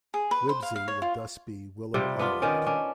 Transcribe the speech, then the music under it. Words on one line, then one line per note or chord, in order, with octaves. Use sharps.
Wibsey would thus be "willow island".
G#4
B4
C5
F5
F5
C#5
F4
C3 G3 F4
B3 D4 F4
D#3 B3 C#4 D5
C#4 D4